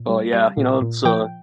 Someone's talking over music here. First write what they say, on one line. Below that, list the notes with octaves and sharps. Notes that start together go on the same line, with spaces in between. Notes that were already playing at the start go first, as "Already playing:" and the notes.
oh, yeah. You know, it's, uh
Already playing: A#2
G3
G3 F5
A#2
A#2
F3 G5